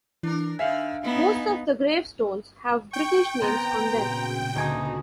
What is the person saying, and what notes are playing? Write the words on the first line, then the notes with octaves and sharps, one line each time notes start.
Most of the gravestones have British names on them.
E3 D4 A#4
D3 D#4 E5 F5 G#5
B3 D#4 E4
G5 C#6
B3 C4 A#5
A#2 C#3 F#4
D2 D#4 G#5 D#6